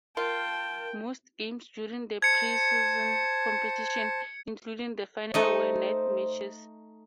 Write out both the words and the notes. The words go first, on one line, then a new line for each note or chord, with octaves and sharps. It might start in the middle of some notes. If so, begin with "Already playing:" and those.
Most games during the pre-season competition, including the final, were night matches.
F4 A#4 G5 A5
C5 A5 G#6 C#7
A3 D#4 C5 D#5